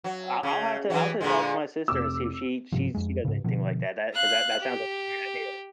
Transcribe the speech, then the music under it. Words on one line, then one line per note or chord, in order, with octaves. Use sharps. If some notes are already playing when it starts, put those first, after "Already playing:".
I I'll have to I'll have to talk to my sister and see if she she she does anything like that, that 'cause that that sounds like a great
F#3
C#3
E3 F#3
A#2 D3 G#3
F1 D6 E6
G2 C3 F3
F2 G#3
G#2 C#3
B2 D3 F3
F5 F#6
G4